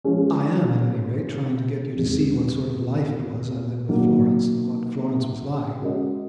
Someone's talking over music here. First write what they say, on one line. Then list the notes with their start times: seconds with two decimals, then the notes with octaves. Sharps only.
I am, at any rate, trying to get you to see what sort of life it was I led with Florence and what Florence was like.
0.04 F3 G#3 C#4
1.96 E2 C3 D#3 G#3
3.89 D#3 F#3 A#3 D#4
5.82 G#3 C#4 F#4 A#4 D#5